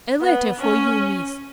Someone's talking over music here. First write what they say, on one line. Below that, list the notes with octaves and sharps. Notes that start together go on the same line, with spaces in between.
A letter for you, Miss.
B3
C#4